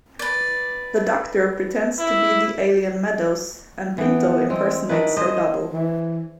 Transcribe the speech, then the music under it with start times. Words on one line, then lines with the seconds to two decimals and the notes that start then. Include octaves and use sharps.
The Doctor pretends to be the alien Meadows and Pinto impersonates her double.
0.19 B4 D5
1.99 E4
3.98 E3 B3 G5
4.50 G#3 C4
4.89 D#3 D4 E4 B4
5.17 G#4 C5 D#5
5.73 E3